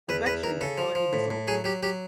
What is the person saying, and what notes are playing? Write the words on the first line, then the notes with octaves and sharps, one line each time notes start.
Eventually the Colony dissolved.
E2 B4
E2 B4
E2 A#4
C#3 A4
F3
F3
A2
A2
F#3 G#4
F#3 G4
F#3 G4